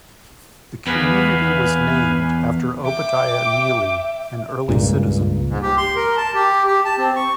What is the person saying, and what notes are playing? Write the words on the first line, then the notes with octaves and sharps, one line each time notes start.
The community was named after Obadiah Neely, an early citizen.
E2 B3 B4 F5 G#5
E5 G5 D6
C#2 G2 A#2
G#2
G4
C6
A#4
A5
G4
G4
A5
C4
C#6